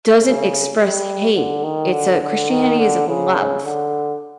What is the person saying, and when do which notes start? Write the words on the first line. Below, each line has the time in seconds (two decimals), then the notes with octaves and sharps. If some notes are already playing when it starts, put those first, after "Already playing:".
doesn't express hate. It's a Christianity is of love.
0.20 C#3
0.77 G3
1.35 D3
1.64 D#3
1.92 D3
2.22 D3
2.50 D#3
2.78 D3
3.08 C#3
3.65 D3